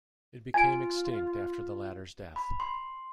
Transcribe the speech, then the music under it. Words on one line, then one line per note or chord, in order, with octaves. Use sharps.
It became extinct after the latter's death.
F4 G#5 D7
B5
C6